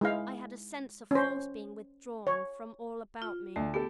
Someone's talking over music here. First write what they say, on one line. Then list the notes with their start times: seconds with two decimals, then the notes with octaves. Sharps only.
I had a sense of force being withdrawn from all about me.
0.01 G#3 E4 F5
1.11 C#4 C5
2.27 C#5
3.22 F4
3.56 D2 A3
3.74 B3 G4 A4